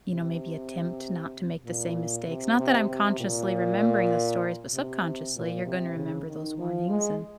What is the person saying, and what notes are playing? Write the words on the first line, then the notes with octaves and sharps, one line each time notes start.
you know, maybe attempt not to make the same mistakes. Not that I'm consciously remembering the stories, but subconsciously, you're gonna remember those warnings and
C3
A#2
C3
C3
C3
A#2
C3
A#2
C3
C#3
D#3
F3
G#3